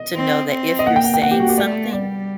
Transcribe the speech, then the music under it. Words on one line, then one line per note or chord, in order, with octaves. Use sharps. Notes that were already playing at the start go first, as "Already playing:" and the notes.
to know that if you're saying something,
Already playing: D#5
C4
C4
D#5
A#3 F#5
G5
F#5
G5
A#3 F#5
G4
F#4
G4
A3 D5
G3 D5